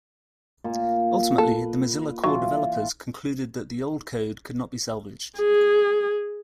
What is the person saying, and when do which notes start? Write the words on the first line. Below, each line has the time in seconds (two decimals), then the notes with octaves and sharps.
Ultimately, the Mozilla core developers concluded that the old code could not be salvaged.
0.64 A#2
1.38 A4 B4
2.24 E3 F#3 F4
5.38 G#4